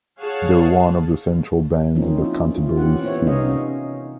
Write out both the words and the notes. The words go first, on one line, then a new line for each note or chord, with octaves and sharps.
They were one of the central bands in the Canterbury scene.
G#4 C#5 F5 F#5 A5
F3 A#3 C4 C#4 D#4 F4
E4
F4
E3 C#4 G4 F#5
B3 C#4 C5 C#5 E5
C3 C#4 D#4 D#5 F5